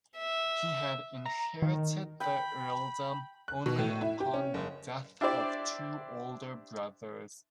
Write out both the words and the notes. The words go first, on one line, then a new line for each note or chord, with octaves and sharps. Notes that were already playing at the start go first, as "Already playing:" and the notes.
He had inherited the earldom only upon the death of two older brothers.
E5
A#5
D#3
G5 B5
F#6
B2
A2
E4
G4
C#4
F#1
D4 E4 G4 C5 D5